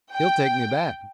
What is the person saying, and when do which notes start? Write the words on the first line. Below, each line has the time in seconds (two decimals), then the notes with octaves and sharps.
He'll take me back.
0.12 G5